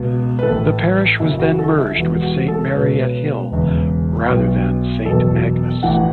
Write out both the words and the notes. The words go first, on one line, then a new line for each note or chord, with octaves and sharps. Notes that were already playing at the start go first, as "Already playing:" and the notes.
The parish was then merged with Saint Mary at Hill rather than Saint Magnus.
Already playing: C#2 B2
B4
A1 A2 E3 A4
F#1 F#2 C#3 E4
F#4
A4
E4
E1 E2 E3 F#4
F#4
A4
C#5
C#2 B2 B4
E1 E2 C#3
B1 B2
F#1 E2 B2 A4
A1 A2 E3 F#5